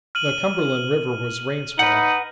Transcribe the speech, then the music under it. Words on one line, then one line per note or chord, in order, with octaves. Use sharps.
The Cumberland River was rain-swollen.
F6 D#7 F#7
D#4 B4 F#5